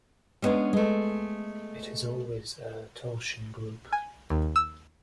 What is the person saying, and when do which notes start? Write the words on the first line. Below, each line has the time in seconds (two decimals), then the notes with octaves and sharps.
It is always a torsion group.
0.42 G3 G#3 B3 C#4 D4
0.73 G#3 A3
3.93 G#5
4.30 D#2
4.56 E6